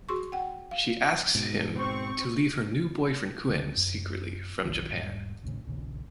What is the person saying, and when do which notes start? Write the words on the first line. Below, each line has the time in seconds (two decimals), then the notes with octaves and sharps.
She asks him to leave her new boyfriend Kuen secretly from Japan.
0.09 F#4 G#4 C6 C#6
0.32 F#5 G5
0.71 F5
1.35 G#2 B2
1.75 C4 C#6
3.48 D2 D3 A3
3.76 F#2
4.65 F#1 B1 D#3
4.89 E1 G#2 G3
5.43 A1 D#2 A2 C#3
5.67 A#1 D#2 C#3